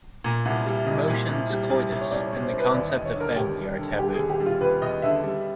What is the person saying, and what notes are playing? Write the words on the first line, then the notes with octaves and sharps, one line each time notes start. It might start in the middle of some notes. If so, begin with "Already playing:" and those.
Emotions, coitus, and the concept of family are taboo.
A#2 A#5
C2 F#5
G3 E5
C2 D#5
A#2
C2
G3
C2
C2
C#5
C2 D5
C#5
C2
C5
C2
B4
D#2 D5
D#5
D#2
C#5
D3 A#4
D#2 G4
G3
D3
D3 G4
G#4
D#2
G4
G3
F4
D#2 B4
D#2 D#5
D3 E5
G3